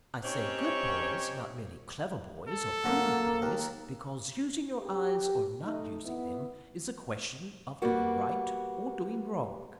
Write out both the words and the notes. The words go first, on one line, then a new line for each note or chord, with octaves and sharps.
I say "good boys;" not merely clever boys, or prudent boys: because using your eyes, or not using them, is a question of doing Right or doing Wrong.
C4 C#4 D#4 G4 C#5
A4
F#2 D3 A#3
D#2
G4
A3 D#4
B3 E4
G3 A#3 B3 F#4